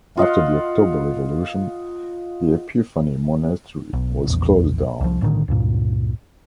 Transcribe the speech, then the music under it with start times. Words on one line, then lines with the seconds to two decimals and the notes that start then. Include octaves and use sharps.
After the October Revolution, the Epiphany monastery was closed down.
0.17 F4 D#5 F5 F#5
3.93 B1
4.27 A#1 E2
5.01 C2 F3
5.21 B1 A2 D3 D#3
5.48 C#2 G2 A#2